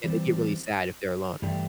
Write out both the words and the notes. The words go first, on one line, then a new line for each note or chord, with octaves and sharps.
Yeah, they get really sad if they're alone,
E3 G3 C4
G2 E3 A3 D4 G4